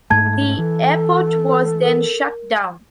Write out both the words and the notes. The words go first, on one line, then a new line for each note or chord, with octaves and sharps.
The airport was then shut down.
G#2 A3 A5 G#6
E3 A4
A#4